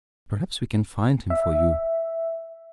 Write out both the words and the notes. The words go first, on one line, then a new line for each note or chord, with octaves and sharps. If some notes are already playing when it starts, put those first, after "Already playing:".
Perhaps we can find him for you.
E5